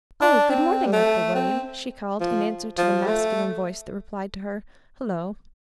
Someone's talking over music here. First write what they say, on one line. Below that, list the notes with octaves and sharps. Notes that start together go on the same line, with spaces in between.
"Oh, good morning, Uncle William," she called, in answer to the masculine voice that replied to her "Hullo."
D4
C4
G3
A3
C4
F3
F3
A3